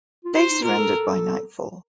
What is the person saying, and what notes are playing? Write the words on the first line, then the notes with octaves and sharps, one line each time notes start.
They surrendered by nightfall.
F4
F#4 C5
D#4
F4 A#4
A4